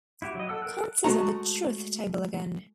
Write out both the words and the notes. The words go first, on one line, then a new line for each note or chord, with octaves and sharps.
Consider the truth table again.
E4 F#4 G4
F#3 D#5
A4 F#5 E6
A#4 G5 F#6
G#3 A3 F#4 A#5